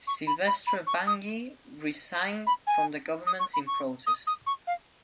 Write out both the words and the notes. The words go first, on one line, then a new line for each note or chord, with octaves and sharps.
Sylvestre Bangui resigned from the government in protest.
C#6
B5
B5
B5
C#6
D#6
B5
G#5
D#6
C#6
B5
C#6
D#6
D#6
C#6
F5